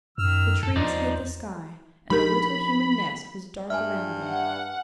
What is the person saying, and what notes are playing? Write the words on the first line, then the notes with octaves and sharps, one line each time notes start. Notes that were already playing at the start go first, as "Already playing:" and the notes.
The trees hid the sky, and the little human nest was dark around them.
F#2 D#3 E6 F6
F#2 A4
E2 F3 D#4 C5 D5
F3 D4 D#4 G4 A#4 B5
G2 E5 G#5 F6
F#5